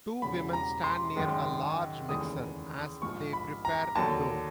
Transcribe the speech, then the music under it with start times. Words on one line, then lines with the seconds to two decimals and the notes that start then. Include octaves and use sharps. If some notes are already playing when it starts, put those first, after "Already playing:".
Two women stand near a large mixer as they prepare dough.
0.22 E1 E2 C#3 F#3 B5
0.53 A#5
0.84 C6
1.16 G#1 F#2 D#3 G#3
2.08 F1 D#2 C#3 E3 G#3 D#6
3.02 A#1 G#2 F3 C#6
3.33 B5
3.65 A#5
3.95 D#2 D3 F#3 A5